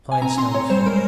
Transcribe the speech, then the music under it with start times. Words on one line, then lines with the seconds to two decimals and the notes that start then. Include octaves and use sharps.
Fine snow was falling.
0.12 G#5
0.22 C4 A#5
0.37 C4 C6
0.54 C4 C#5
0.70 G3 C5
0.86 G#3 A#4